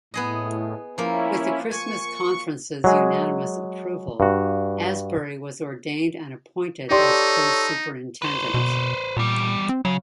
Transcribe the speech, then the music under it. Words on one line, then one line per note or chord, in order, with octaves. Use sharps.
With the Christmas Conference's unanimous approval, Asbury was ordained and appointed as co-superintendent.
A2 B3 G#4 D#5
F3 A#3 C#4 E4
G#5 C#6
F#3 G#3 G#4
G2 F#4
D#4 G4 A4 C#5 D5 C6
B4 C5
B2
E2 A#2 G3
C4
C#3 F#3